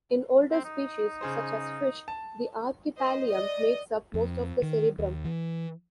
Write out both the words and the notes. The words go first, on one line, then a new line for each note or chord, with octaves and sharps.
In older species, such as fish, the archipallium makes up most of the cerebrum.
C4
D#4
C#3 G#4 C5
A5
C5 D#5
D5 D#5
F2
D#3
D#2
E3